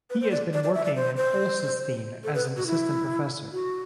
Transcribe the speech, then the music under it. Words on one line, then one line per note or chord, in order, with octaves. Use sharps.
He has been working in Olsztyn as an assistant professor.
B4
C5
D5
D5
D5
E5
D5
C5
C5
A4
B4
F#4
E4
F#4